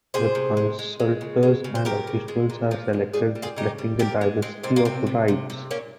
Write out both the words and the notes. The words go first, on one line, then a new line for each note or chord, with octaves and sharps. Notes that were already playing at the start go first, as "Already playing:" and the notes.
The consultors and officials are selected reflecting the diversity of rites.
C3 G#4 C5
C3
G#3
G#3
G#3
C#3
G#3
C#3
C5
C#3 G4 A#4
C#3
G#3
A#2
F3
G#3
G3 F4 G#4
G3
F4 G#4
C#3 D#4 G4
G3
A#2 G4 A#4
G#3
G#3 C4
A#2 C4
A#3
C3 C4
C3
C3
C3
A#2 A#3 C#4